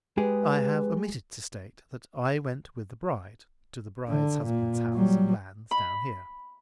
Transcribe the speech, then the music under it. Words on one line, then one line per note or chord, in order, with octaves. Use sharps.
I have omitted to state that I went with the bride to the bride's husband's house and lands down here.
G#3 G4 G#4 B4
D3
A#2
F#3 G3
B5